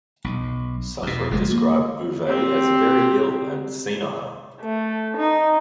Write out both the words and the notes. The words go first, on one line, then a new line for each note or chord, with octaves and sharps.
Suffren described Bouvet as "very ill" and "senile".
B1
E2 B2
F#1 F3 G#3
A#3
C4 G4
A3
D#4